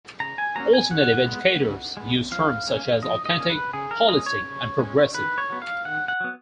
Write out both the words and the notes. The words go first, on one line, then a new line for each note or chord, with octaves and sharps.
Alternative educators use terms such as "authentic", "holistic" and "progressive".
C#3 A#5
G#5
F#3 A#3 C#4 A#5
G#5
C#3 F#5
G#3 B3
C#3
G#3 B3
F3 F5
A#3 C#4
F3 D#5
D#5
A#3 C#4
B4
C#3 G#4
A#4
G#3 C#4 D#5
C#5
C#3
G#3 C#4
D#3 B4
C#5
F#3 B3
F5
D#3 F#5
F#5
F#3 B3